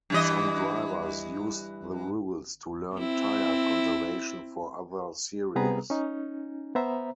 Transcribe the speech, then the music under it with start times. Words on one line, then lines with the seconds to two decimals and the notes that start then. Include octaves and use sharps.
Some drivers used the rules to learn tire conservation for other series.
0.10 G2 E3 D#5
2.95 C4 E4
5.56 C3 G3 B3 G#4 B4 A#5
5.90 C#4 D#4
6.75 B3 C5 E5 A#5